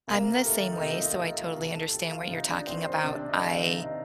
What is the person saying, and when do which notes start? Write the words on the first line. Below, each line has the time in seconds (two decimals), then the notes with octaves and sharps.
I'm the same way, so I totally understand what you're talking about, I
0.08 C3 A#3 A#4
0.45 D#3 A3 A4
0.72 D#4
0.82 C3 F4
1.01 F4
1.18 D#3 D#4 D#5
1.37 F4 F5
1.56 C3 A4 A5
1.75 A4 A5
1.93 D#3 G4 G5
2.11 F4 F5
2.30 C3 D#4 D#5
2.49 D4 D5
2.67 D#3 C4 C5
2.85 C4 C5
3.04 C3 D4 D5
3.29 D#4 D#5
3.41 D#3 F5
3.53 D#4 D#5
3.78 C3 D#4 D#5